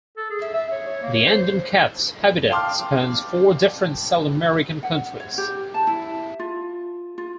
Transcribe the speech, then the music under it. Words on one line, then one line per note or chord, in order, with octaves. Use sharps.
The Andean cat's habitat spans four different South American countries.
A4
G#4
E5
E5
C#5
C#5
A#3
C#5
C5
F5 G5 A5 C6 D6 F6
F#5
C#5
G4
A5
E4
F4
F4